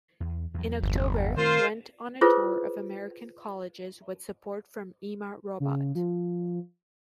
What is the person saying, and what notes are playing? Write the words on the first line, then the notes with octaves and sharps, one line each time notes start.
In October, went on a tour of American colleges with support from Ima Robot.
E2
E2 F#3
G1
D#3 A3 C4 F4 A#4 C5
E4 F4 G#4 A4 B4 C5
C#3
F3